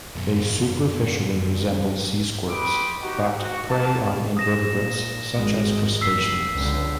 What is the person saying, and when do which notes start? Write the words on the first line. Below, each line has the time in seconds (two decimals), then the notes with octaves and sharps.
They superficially resemble sea squirts but prey on invertebrates such as crustaceans.
0.16 F#2 B2
2.50 G4 B4 B5 C6 D6 D#6
3.01 D#4 F#4 G4
3.38 F#4
3.69 A#3 B3 A5
4.37 D#6 A#6 E7
4.70 A#2
5.34 G#1 G#3
6.01 F1 E6 B6 C7
6.54 C#2 D3